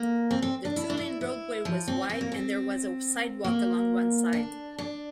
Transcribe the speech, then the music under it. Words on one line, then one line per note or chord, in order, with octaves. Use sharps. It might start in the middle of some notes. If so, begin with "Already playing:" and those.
The two-lane roadway was wide, and there was a sidewalk along one side.
Already playing: A#3
C4
C4
D4
E4
D4
E4
E4
F3
C4
C4
A#3
C4
A#3
D4
D4